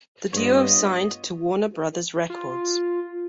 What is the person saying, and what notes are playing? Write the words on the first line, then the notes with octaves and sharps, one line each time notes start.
The duo signed to Warner Brothers Records.
G2 B3 F4 C#5 D#5
F4